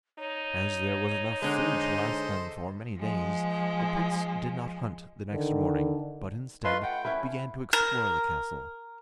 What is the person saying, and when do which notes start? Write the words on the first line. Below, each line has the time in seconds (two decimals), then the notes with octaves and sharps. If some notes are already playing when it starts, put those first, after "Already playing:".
As there was enough food to last them for many days, the prince did not hunt the next morning, but, instead, began to explore the castle.
0.19 D#4 C#5
1.42 D3 G#3 A4 C5 D#5
2.96 F3 G#3
5.32 D3 D#3
6.64 A3 F4 B4 D#5 C6
6.83 F#5 G5
7.05 C#4 E4 B4 E5
7.73 A#4